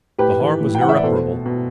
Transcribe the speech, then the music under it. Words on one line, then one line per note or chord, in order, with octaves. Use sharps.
The harm was irreparable.
A2 G4 B4
E3
A2
G5
E3 F#5
E5
D5
B2 A4 C5
B2